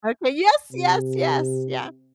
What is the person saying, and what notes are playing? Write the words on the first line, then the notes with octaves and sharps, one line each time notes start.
Okay yes! Yes, yes, yeah.
C3